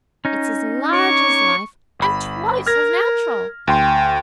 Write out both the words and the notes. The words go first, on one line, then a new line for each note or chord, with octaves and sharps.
It's as large as life, and twice as natural!'
C#4 D#4
C#5 C#6 D6
G1 B5
A#4 F6 G#6 A#6
D2 G5 C6